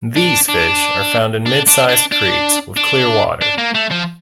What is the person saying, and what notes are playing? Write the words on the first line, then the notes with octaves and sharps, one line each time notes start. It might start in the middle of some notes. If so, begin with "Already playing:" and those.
These fish are found in mid-sized creeks with clear water.
D4
D4
D4
D4
D4
D4
D4
D4
A#3
A3
F3